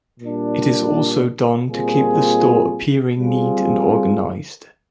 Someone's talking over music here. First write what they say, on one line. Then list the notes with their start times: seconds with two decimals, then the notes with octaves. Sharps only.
It is also done to keep the store appearing neat and organized.
0.20 A#2 G3 D4
1.68 A#2 G3 C4 F4 G#4
3.17 G3 C4 F4 G#4